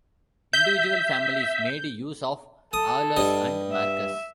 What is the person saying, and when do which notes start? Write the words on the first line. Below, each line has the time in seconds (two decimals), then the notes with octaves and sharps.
Individual families made use of "Aulus" and "Marcus".
0.53 E5 G6
2.73 A4 D#6
3.16 G2 D#5
3.72 E5